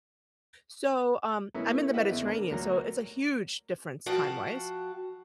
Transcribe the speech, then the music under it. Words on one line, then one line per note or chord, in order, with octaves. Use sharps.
So, um, I'm in the Mediterranean, so it's a huge difference time-wise,
A3 B3 C#4 E4 A#4
E4 B4 D#5 E5 F#5
E2 C#3
D4 A#4
D2 F#3 A#4
F3 F#4 F5 G5 A5